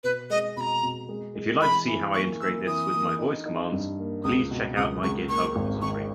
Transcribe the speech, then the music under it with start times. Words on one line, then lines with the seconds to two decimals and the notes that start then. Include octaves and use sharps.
If you'd like to see how I integrate this with my voice commands, please check out my GitHub repository.
0.04 B2 B4
0.30 G#3 D#5
0.57 B2 B5
0.61 A#5
0.83 B2
1.09 G#3
1.35 G#3
1.62 E3 B5
1.88 E3
2.14 A#3 C#6
2.41 A#3 E6
2.67 E3 D#6
2.93 A#3
3.19 D#4
3.46 D#4
3.72 G2
3.99 A#3
4.24 C#2 D#6
4.51 B2
4.77 C#2 D#6
5.03 C#2 C#6
5.29 A#3 C#6
5.56 G#1
5.82 D#3 C#6